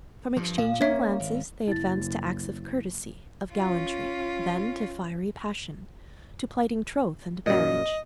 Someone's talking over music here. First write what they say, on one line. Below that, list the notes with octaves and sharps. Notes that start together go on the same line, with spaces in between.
From exchanging glances, they advance to acts of courtesy, of gallantry, then to fiery passion, to plighting troth and marriage.
G2 F3
A#2 F5
A#3 C#4 C#5 E5
G#1
F#1 E4 A6
C#4 F4
F#2 A#2 D#5